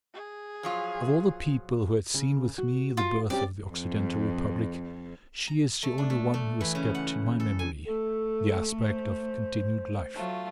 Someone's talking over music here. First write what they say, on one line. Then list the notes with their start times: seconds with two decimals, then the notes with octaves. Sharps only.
Of all the people who had seen with me the birth of the Occidental Republic, she is the only one who has kept in my memory the aspect of continued life.
0.13 G#4
0.63 F3 F#3 F4
2.14 C#3
2.58 F#4
2.97 F4
3.30 C4 C#4 G4 D5
3.70 F2
5.47 A#5
5.83 A3
5.98 D4
6.10 A3
6.34 A3
6.61 E3
6.75 C#3
6.95 F#5
7.40 A4
7.59 G#5
7.86 A3 A4
8.82 C5
10.14 F#3 A3 F4